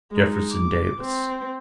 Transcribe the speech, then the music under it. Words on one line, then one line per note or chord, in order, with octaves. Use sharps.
"Jefferson Davis."
G#3 D#4
D6
C4